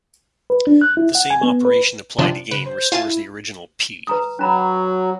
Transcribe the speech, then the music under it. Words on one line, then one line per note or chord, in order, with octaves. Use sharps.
The same operation applied again restores the original "P".
B4
D4
F#6
E4
F#5
G#5
B3
B4
C3 F3 D4
C#3 B4
C5
E4 F4 G#5 A5
B4 A#5 D#6
F#3 C#4 A#5 B5